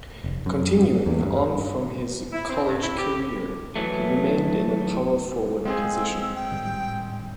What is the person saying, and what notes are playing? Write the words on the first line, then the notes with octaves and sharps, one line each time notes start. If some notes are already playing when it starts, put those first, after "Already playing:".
Continuing on from his college career, he remained in the power forward position.
F1
F#2
G#2
E2
G2
G2
E4
C4
G2
E4
G4
E3 F#3 A3
G#3 C4 G#4 F5 G5
E6
G5
A2 D#3 G3